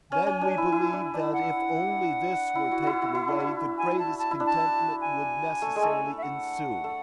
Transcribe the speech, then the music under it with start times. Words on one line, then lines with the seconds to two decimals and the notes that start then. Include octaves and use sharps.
Then we believe that if only this were taken away, the greatest contentment would necessarily ensue.
0.11 C#4 G#5
0.26 C#4
0.41 D4
0.57 E4
0.72 E4
0.93 D4
1.14 D4
1.33 F#5
2.55 E4
2.71 F#4
2.82 E4 F#4
3.02 F#4
3.15 E4
3.28 D4
3.40 E4
3.78 G#5
3.99 A5
4.19 A5
4.31 E4
4.40 D4
4.46 A5
5.01 G#5
5.62 A3
5.76 G#3
5.83 A3
6.18 E5
6.23 F#5
6.84 A3